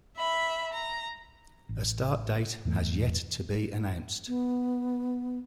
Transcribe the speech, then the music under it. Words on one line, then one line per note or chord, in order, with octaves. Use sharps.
A start date has yet to be announced.
E5 B5
A#5
A1
E2 G#2 E3 A3
B3